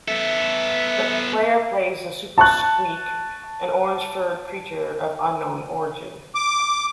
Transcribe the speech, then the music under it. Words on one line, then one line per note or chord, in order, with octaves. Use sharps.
The player plays the Super Skweek, an orange-furred creature of unknown origin.
B3 A4 E5
A5 C#6 F#6
D6